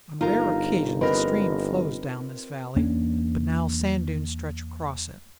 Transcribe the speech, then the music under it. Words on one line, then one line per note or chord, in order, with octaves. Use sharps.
On rare occasions a stream flows down this valley, but now sand dunes stretch across it.
G1 D#4 F4 A#4 A#5
C4 A#4 B4 D#5
E2 A#3 C#4 D4